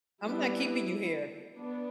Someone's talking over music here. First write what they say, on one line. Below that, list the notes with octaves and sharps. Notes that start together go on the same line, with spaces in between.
I'm not keeping you here.
G3 B3 D4 E4
B3 D4